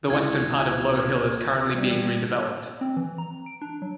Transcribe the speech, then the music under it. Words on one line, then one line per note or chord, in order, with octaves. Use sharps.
The western part of Low Hill is currently being redeveloped.
C#2 E3 F4 C#6 G#6
G3
C4
E3
A#5
D7
D4
F#3